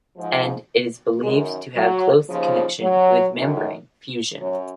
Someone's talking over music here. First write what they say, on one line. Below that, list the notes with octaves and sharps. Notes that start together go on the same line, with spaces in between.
And it is believed to have a close connection with membrane fusion.
G#2 F3
F#2 D#3 G#3
F#3
D#2 C#3 F3
F#3
F#2 D#3
F#2 F#3